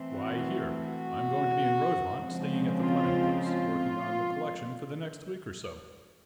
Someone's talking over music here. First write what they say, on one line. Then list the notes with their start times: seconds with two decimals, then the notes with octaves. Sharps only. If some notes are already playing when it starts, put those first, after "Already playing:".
Why, here; I'm going to be in Rosemont, staying at the Fleming place, working on the collection, for the next week or so.
Already playing: E3 A3 C4
0.12 F#4
0.80 F#4
2.14 C#3 F3 G#3 C4
2.81 F4
3.48 F4